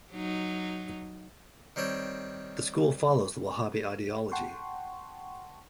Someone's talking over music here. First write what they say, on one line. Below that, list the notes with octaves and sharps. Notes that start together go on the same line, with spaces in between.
The schools follows the Wahhabi ideology.
F#3 D#4
D#3 G3 C4 C#5
F#5 G5 A5 C6 C#6